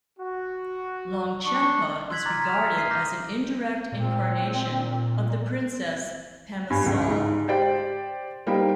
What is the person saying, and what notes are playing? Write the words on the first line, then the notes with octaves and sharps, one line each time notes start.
Longchenpa is regarded as an indirect incarnation of the princess Pema Sal.
F#4
D4 C#6
C6 E6 F#6 G#6 B6 F#7
A#5 C6 D6 F6 G#6 A6
F6 B6 E7 F7
D#6
D#6 C7 D#7
D6 F6 G6 A#6
A#2 C4
G2 G#5
C#2
G#2 G#3
G4 C5 D5 G5
G3 A#3 D#4 C5 G5